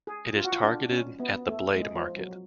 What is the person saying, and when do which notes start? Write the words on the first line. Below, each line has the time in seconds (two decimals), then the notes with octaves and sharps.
It is targeted at the "blade" market.
0.07 G#4
0.35 F4
0.44 F#4
0.53 F4
0.64 D4
0.91 C#4
1.20 B3
1.47 A3
1.75 G#3
1.95 F3
2.16 F#3